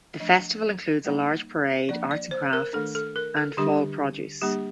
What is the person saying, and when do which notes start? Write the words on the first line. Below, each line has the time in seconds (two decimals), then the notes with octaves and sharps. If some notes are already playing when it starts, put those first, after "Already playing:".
The festival includes a large parade, arts and crafts, and Fall produce.
0.20 F3 A3 D4 D#5
1.05 G3 A#3 D#4
1.89 F3 A#3 D4 D5
2.11 D5
2.31 C5
2.53 A#4
2.73 D#3 A3 D4 A4
2.95 A4
3.16 A#4
3.37 A4
3.57 D3 G3 D4 G4
4.42 G3 A#3 D4 G4